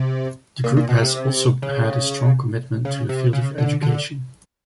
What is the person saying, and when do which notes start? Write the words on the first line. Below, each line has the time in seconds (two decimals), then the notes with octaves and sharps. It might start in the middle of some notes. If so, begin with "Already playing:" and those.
The group has also had a strong commitment in the field of education.
Already playing: C3
0.64 A#2
0.77 A#2
0.89 B2
1.02 C3
1.62 C#3
2.85 C#3
3.09 C3
3.33 C#3
3.58 D3
3.82 D3